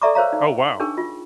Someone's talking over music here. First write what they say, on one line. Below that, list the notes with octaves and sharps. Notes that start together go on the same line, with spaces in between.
Oh, wow.
A4 D5 E5 A#5 C#6 D6
A#4 C5 C#5 F5 A#5
D#4
D4 D#4 G#4 A#4 G5 C#6
F4